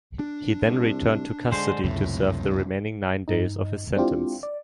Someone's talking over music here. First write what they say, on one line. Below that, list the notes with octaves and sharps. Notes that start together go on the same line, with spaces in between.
He then returned to custody to serve the remaining nine days of his sentence.
D4
C2
D3 G#3 C5
C#2 F#2 A2 C3
G2 D#4
G#3 C4 D4 E4 F4 G4
D5